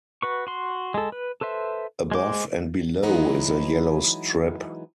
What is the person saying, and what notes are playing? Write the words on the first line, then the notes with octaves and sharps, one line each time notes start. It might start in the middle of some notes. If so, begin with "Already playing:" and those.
Above and below is a yellow strip.
F#4 B4 C#6
F#4 C6
G#3 A4
B4
A4 B4 C5 E5
G#3 C5 D6
E3 F#3 G#3 B3 D#4 E4